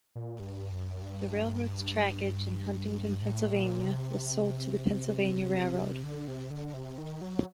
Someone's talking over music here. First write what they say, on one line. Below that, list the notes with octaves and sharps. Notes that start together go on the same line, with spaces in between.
The railroad's trackage in Huntingdon, Pennsylvania was sold to the Pennsylvania Railroad.
A#2
G2
F#2
G2
A2
A#2
C3
D3
C3
D3
C3
D#3
F#3